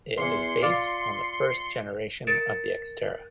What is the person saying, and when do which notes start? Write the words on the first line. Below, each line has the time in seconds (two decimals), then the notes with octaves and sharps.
It is based on the first generation of the Xterra.
0.18 E2 E3 C6 C#7
0.62 F4 D5
2.27 A#4 A6 C#7 D7 E7